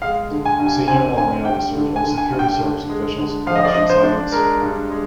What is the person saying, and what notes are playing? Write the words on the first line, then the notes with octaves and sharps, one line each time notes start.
Senior Army officers and security service officials watch in silence.
G#3 F5
D3
G#5
G2
G#5
C4 G#5
D3 G#5
G2 G5
D3
G#5
D3
G#5
G2
G5
D3
G#3
D3
F3 F5
D#5
D5
D4 D#5
C5
D4
G#3 A#4
G2
G#3